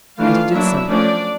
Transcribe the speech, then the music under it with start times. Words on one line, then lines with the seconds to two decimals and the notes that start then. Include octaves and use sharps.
And he did so.
0.18 E3 A3 D4 F4 F5
0.53 F#3 A#3 D4 E4 E5
0.88 F3 A3 C#4 D4 D5